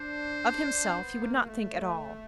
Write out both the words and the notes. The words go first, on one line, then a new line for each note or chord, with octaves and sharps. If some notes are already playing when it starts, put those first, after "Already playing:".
Of himself he would not think at all.
Already playing: D4 C5
C4
B3
A#3
A3